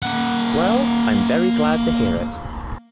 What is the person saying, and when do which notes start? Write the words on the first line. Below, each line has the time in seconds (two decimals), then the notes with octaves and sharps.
Well, I'm very glad to hear it.
0.02 A#3 F#5